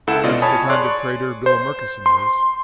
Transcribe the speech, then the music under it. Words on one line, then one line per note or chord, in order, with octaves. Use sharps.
That's the kind of trader Bill Murkison is.
C#2 E4 A4 F#5 E7
B2 F4 D5 D#5
C#5 G#5 A5 B5 D#6
G#4 C#5 D5 C6 C#6 F#6
C5
C6